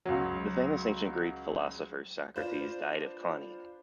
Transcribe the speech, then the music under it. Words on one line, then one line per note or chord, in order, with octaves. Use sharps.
The famous ancient Greek philosopher Socrates died of coniine.
C#2 F#3
D4 F4 B4 C5